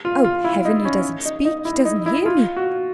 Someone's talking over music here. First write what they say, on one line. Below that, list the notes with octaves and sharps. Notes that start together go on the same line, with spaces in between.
Oh, Heaven! he doesn't speak--he doesn't hear me!
F4
F4
E4
D#4
C#4
D#4
D#4
E4
D#4
E4
F4
F#4